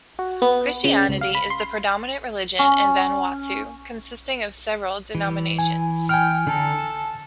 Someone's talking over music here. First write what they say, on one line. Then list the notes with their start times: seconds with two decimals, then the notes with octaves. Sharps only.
Christianity is the predominant religion in Vanuatu, consisting of several denominations.
0.19 F#4
0.42 B3
0.84 C#3
1.09 C#2
1.21 F5
1.35 B5
1.50 C6
2.59 C#4
5.15 E3
5.59 G#5
6.09 G5 G#5 F6
6.47 D3 A4 A#5
6.79 A5